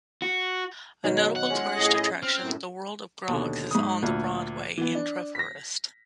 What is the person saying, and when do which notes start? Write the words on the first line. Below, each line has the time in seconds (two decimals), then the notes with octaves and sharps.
A notable tourist attraction, the World of Groggs is on the Broadway in Treforest.
0.22 F#4
1.04 B2 D#3 F#3
1.36 F#5
1.50 G#3 C#4 F4
1.75 A2 G#4 D#5
2.23 C4 F6
2.40 F#2 A2
3.28 D#2 B2 D3
3.71 G#2 D#6
4.02 D2 A#2
4.78 E3 B3
4.95 D4
5.35 A#6 B6